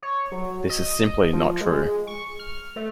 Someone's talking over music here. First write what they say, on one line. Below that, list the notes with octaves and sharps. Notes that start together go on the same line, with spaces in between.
This is simply not true.
C#5
F#3
D#5
F3
G#3
C#6
F6
A3